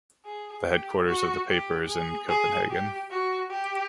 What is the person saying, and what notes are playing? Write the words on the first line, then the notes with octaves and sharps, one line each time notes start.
The headquarters of the paper is in Copenhagen.
G#4
G4
F#4
G4
G#4
G#4
G4
F#4
G4